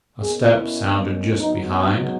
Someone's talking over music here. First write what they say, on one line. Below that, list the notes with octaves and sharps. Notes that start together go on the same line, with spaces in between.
A step sounded just behind.
B2 A#3 C#4 G#4
E4
G#2 F#3 B3 D#4
C#4